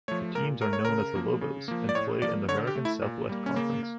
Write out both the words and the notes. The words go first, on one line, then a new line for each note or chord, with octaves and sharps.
The teams are known as the Lobos, and play in the American Southwest Conference.
F3 A3 C#5
A#2 A#4
A3 A#4
C#5
C#3 A#4
F3 A#3
C#3
F3 A#3
D5
A2 C#5
F3 A#3 D5
D3 C#5
G4
A3
E4
A#2
G3 A#3
C#4
C#3 A#3
A#3